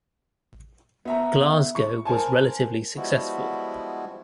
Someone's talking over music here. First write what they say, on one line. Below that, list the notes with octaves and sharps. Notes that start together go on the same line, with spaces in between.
Glasgow was relatively successful.
B3 E5 A#5
C#6
A#4 C5 G#5 A5
F3 G3 G#3 B3 E4 F#4